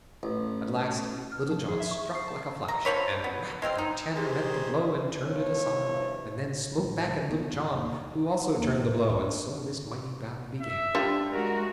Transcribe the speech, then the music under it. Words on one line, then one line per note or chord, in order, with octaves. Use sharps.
At last Little John struck like a flash, and--"rap!"--the Tanner met the blow and turned it aside, and then smote back at Little John, who also turned the blow; and so this mighty battle began.
A1
F6
F3
G#4
E5
C#6
C7
A5
A#5
F3 C4 C#5 B5
B3
G#3 C4 F4 C5
D#4
D#3 G4 G#4 C5
G2 B2 F3 E4 C#5
A1
D3
B3
G#2
D#2
E3
D#2
A2
D4
E5
G3 D4 F4
G#3 F#4 A#4